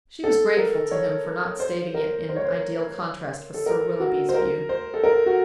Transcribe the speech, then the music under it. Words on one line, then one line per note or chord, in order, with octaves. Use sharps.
She was grateful to him for not stating it in ideal contrast with Sir Willoughby's view.
A4
A#4
C#5
C5
A#4
C5
C#5
C5
A4
A#4
F#4
C5
A#4
C5
A4
A#4
F#4